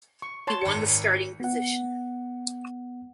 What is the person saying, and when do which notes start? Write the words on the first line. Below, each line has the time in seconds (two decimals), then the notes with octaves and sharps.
He won the starting position.
0.22 C#6
0.47 C#5 A5 C6
0.61 G#1 C#7
1.40 B3 F#5